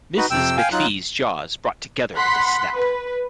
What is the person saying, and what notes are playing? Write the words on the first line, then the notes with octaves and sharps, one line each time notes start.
Mrs McFee's jaws brought together with a snap.
D#4 F#4 B4
F2 C3 G5 E6
F5 G5 G#5
F#3 D#4 F4 F#6
F#5 B5 C6 F#6 B6
B4